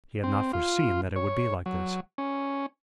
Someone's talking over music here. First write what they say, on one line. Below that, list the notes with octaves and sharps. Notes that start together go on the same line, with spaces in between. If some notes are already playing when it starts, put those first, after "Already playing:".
He had not foreseen that it would be like this.
C4
F4
C#5
F#3
C#4